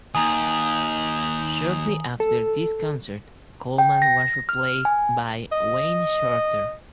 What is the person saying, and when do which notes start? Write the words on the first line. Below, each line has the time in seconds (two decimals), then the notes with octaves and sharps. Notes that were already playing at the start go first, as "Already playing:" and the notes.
Shortly after this concert, Coleman was replaced by Wayne Shorter.
0.15 D#2 G#5 A#5 D#6
2.20 A4
3.78 G5
4.02 A#6
4.49 F6
4.85 G#5
5.52 D#5